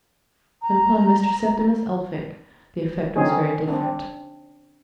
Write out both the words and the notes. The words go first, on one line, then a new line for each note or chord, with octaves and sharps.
But upon Mr. Septimus Elphick the effect was very different.
A#5
D3 C4 C#4 D#4 G#4
C4 D4